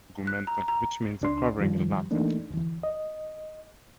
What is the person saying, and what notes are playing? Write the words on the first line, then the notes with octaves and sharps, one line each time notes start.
It derives from "integumentum", which means "a covering" in Latin.
F#6
A#5
A#5
C#2 D4 C6
F#2 D#3 F3 G3
E3 A3 A#3 D4 D#4
D2 E3
D#5